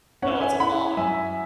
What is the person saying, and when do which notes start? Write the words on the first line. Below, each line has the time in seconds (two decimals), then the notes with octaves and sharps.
Oh, it's a lot.
0.22 C#4 C#5 F#5
0.41 E5 G#5
0.60 E4 F#5 B5
0.97 F#2 E5 G#5